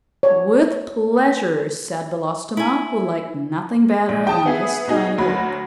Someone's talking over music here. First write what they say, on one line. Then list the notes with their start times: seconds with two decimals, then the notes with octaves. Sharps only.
"With pleasure," said Belostoma, who liked nothing better than this kind of work.
0.23 C#5
2.57 E4 G#5
4.09 A#1
4.27 G5 A5 D#6
4.46 B3 G#4 E5
4.88 B2 D#4 G#4
5.18 D2 F#3 B5